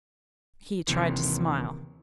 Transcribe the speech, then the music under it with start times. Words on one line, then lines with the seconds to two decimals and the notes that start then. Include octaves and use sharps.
He tried to smile.
0.88 D#2 C3 E3